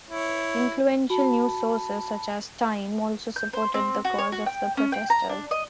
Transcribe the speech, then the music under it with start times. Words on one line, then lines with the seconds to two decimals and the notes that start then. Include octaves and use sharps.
Influential news sources such as "Time" also supported the cause of the protestors.
0.09 E4 C#5
1.10 F#4 A5 B5
3.36 G6
3.53 C5
3.74 C4
4.05 F#4
4.18 C#5
4.32 F#4
4.46 G5
4.77 C#4
4.92 G5
5.10 A#5
5.29 D4
5.51 D#5